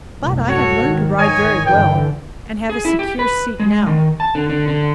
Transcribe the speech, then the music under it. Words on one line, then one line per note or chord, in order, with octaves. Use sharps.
But I have learned to ride very well, and have a secure seat now.
C2 F#2 A2
F#4 A4 C#5
G#2 D#3
C#5 D#5 G#5
G2 D3 E3 G5
G#4
E4
G4
B4
G#3
D#3
A5
D3
D3
D3